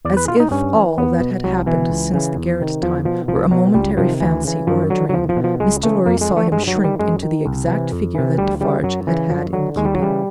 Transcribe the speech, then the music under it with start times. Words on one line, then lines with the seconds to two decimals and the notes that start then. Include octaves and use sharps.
As if all that had happened since the garret time were a momentary fancy, or a dream, Mr. Lorry saw him shrink into the exact figure that Defarge had had in keeping.
0.05 E2 D5
0.17 B4
0.27 B2 F4
0.40 D#4
0.51 G2 C#4
0.74 E3
0.98 E2 B3
1.20 B2
1.44 C2 F#3
1.66 B2 E3
1.90 C#2
2.14 C#3 E3
2.36 E2
2.59 C3 D#3
2.82 E2 F3
3.05 B2 F3
3.28 C2 F3
3.51 B2 F#3
3.74 C#2 G3
3.97 C3 D#3 F3
4.21 D2 E3
4.45 C#3 E3
4.67 F#2 F3
4.90 D3 F#3
5.09 F#3
5.14 E2 F3
5.29 F3
5.36 B2
5.44 F3
5.60 C#2 G#3
5.83 C#3 E3 A3
6.06 F2 A#3
6.21 G#3
6.30 D3
6.37 A3
6.52 G2 G#3
6.68 F#3
6.75 D#3
6.84 G3
6.99 F#2 G#3
7.23 D#3
7.46 C2
7.68 C3 E3
7.92 F2
8.15 C3 E3
8.38 D2 G3
8.60 C#3 E3 G3
8.84 F#2 F#3
9.07 C#3 E3
9.30 F#2 F3
9.53 D3 F#3
9.76 D#2 G#3
9.85 G3
9.95 F#3
10.00 C#3 E3 G3